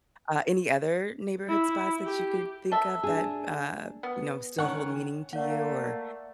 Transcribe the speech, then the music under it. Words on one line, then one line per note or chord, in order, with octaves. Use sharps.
Uh, any other neighborhood spots that you could think of that, uh, you know, still hold meaning to you or
E4
G4
A4 E5
D4 G#4
B3
D#3 C#4 F#5 C#6
A3 A#3 D5 F5 F#5